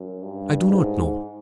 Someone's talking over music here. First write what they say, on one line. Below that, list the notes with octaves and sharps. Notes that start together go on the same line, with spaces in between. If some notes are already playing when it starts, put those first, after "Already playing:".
"I do not know."
Already playing: F#2
G2
G#2